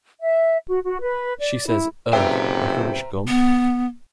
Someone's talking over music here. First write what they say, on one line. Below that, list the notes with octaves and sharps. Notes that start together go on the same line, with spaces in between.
She says, Ugh licorice gum?
E5
F#4
F#4
B4
D5
E4
F#1 C3 B4 C5 E5 G5 A#5
B3